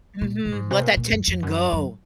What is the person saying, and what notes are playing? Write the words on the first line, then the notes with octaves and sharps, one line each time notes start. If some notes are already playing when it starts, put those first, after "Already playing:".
Mhm, let that tension go.
A#2
A#2
G#2
C3
A#2
A#2
F#2
F2
F#2
F#2